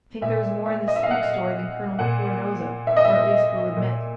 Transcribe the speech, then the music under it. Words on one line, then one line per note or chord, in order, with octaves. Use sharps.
"I think there is more in this spook story than Colonel McClure knows of, or, at least, will admit."
A#2 E5
E5
D#5
E5
F5
F#5
A#2 F#5
E5
D#5
E5
A#2